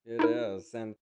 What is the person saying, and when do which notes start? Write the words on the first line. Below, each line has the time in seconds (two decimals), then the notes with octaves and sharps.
It is, and
0.19 D#4 E4 A#4